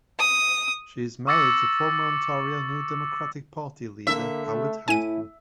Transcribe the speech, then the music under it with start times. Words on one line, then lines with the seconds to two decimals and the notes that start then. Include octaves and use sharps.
She is married to former Ontario New Democratic Party leader Howard Hampton.
0.19 D#6
1.27 C#6 D6 E6 A6 A#6 C#7
4.07 D3 A#3 E5
4.45 A3
4.88 A2 A3 E4 G#5 D#7